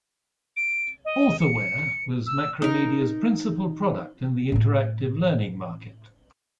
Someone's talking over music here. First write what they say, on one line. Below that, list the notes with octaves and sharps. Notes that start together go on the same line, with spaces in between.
Authorware was Macromedia's principal product in the interactive learning market.
D7
D#5
C#7
E6
D#4 A#4
A2 E4